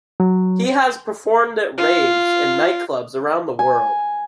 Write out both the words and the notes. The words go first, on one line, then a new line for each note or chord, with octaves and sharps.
He has performed at raves and nightclubs around the world.
F#3
F4
G#5